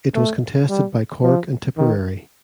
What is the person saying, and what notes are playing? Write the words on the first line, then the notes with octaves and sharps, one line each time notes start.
It was contested by Cork and Tipperary.
A3
G3
F3
D#3